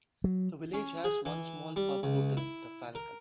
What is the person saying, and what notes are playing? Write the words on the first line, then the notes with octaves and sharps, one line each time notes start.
The village has one small pub-hotel, The Falcon.
F#3
C#4
G#4
E3
G3
C#2
E4
A#4